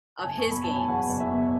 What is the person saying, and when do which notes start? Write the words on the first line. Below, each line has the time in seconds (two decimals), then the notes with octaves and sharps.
of his games.
0.19 A5
0.24 F#1 G#5
0.39 C#6
0.46 B2
0.51 B5
0.64 F#3 A5
0.76 G#5
0.88 E2 F#5
1.09 F#1
1.20 E5
1.31 B2